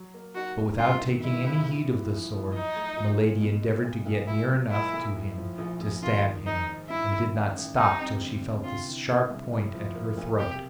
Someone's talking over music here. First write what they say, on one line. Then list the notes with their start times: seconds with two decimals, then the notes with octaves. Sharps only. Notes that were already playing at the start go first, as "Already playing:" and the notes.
But without taking any heed of the sword, Milady endeavored to get near enough to him to stab him, and did not stop till she felt the sharp point at her throat.
Already playing: F#3
0.14 A#3
0.35 D#4 F#4
0.57 B2
0.79 G2 F4
1.01 D#3
1.22 G#3 E4
1.44 G#1
1.67 A2
1.88 E3
2.10 A#1
2.31 A#1
2.53 F#3 D#4
2.76 A3
2.96 A#2
3.19 A#2
3.40 B2
3.62 G#3
3.84 B1
4.06 B1
4.27 A#2 E4
4.49 F#3
4.71 A#3 E4
4.93 B1
5.15 A2
5.37 F3
5.58 A#1
5.81 A#1
6.02 D#3 F4
6.24 G#3
6.45 G#2 D#4
6.68 G#2
6.89 G2 E4
7.11 D#3
7.34 A1
7.54 A1
7.77 G3 D#4
7.99 C4
8.21 D3
8.42 D3
8.63 C3 F4
8.86 E3
9.08 G#3
9.30 C2
9.51 A2
9.74 F3
9.95 A#3
10.17 B1
10.39 C3 G4